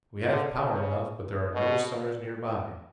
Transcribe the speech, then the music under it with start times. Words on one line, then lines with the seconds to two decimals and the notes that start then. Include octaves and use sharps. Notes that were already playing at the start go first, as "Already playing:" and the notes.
We have power enough, but there are no stars nearby.
0.28 D3
0.70 C#3
1.54 B2